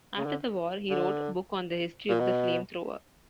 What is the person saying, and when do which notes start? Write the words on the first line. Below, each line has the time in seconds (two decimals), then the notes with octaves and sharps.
After the war, he wrote a book on the history of the flamethrower.
0.17 C#3
0.26 D3
0.90 D3
2.09 A#2
2.20 B2